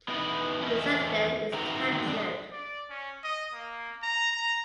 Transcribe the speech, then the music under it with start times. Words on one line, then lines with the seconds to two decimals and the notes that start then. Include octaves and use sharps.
Missandei is captured.
0.08 B3 D#4 E4 B4
0.60 E2 A3 C#4 A4 D#5 E5
1.53 D#3 C#4 F#4 B4 E5 A#5
1.93 D#3 A#3 C4 E4 F#4
2.06 G#3 D4
2.52 D5
2.90 C#4
3.24 D#5
3.53 A#3
4.03 A#5
4.32 A#5